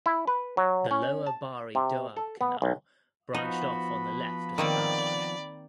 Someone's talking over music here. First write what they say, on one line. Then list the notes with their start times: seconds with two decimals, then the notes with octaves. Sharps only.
The Lower Bari Doab Canal branched off on the left of the barrage.
0.06 E4
0.27 B4
0.57 F#3
0.91 C#4
1.27 A5
1.75 C3
2.17 A4
2.41 B3
2.62 B1
3.34 F3 B3 D#4 F#4 B5
4.58 D#3 A#3 C4 D5